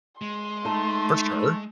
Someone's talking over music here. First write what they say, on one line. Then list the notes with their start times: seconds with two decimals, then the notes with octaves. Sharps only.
For sure.
0.22 G#3 C6
0.65 A3 D#4 A5